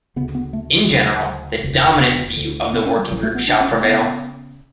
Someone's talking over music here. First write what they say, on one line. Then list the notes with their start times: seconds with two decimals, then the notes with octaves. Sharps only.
In general, the dominant view of the working group shall prevail.
0.16 C#3 B3
0.20 D2
0.35 B3
0.53 A3
0.90 D2 C#3 F#3
1.63 E1 D2 C#3
2.01 B3
2.37 D2 D3
2.74 B3
2.86 C#4
2.98 G3
3.11 A1 A2 F#3
3.23 A3
3.35 B3
3.48 D4
3.61 C#4
3.73 A3
3.84 C#3 B3